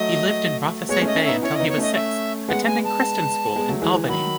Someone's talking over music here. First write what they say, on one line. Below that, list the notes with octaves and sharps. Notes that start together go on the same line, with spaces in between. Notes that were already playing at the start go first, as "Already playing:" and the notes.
He lived in Rothesay Bay until he was six, attending Kristin School in Albany.
Already playing: F#3 A3 D#5
G#3 B3 C#5
A3 C#4
D#5
A3 C#4
B3 D#4 E5
C#4 E4 C#5
B3 D#4 D#5
C#5
A3 C#4 D#5
E5
G#3 B3 F#5
G#5
A5
G#3 B3
F#3 A3
E3 G#3
E3
D#3 F#3 B5